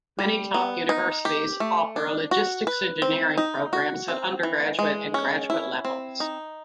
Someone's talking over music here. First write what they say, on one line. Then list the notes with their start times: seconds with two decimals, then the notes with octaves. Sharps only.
Many top universities offer Logistics Engineering programs at undergraduate and graduate levels.
0.19 G3
0.54 B3
0.89 D#4
1.25 G4
1.60 A3
1.96 D4
2.31 F#4
2.67 B4
3.02 C4
3.37 D#4
3.73 F#4
4.08 C4
4.43 E3
4.79 G#3
5.14 C#4
5.50 E4
5.85 C4
6.20 D#4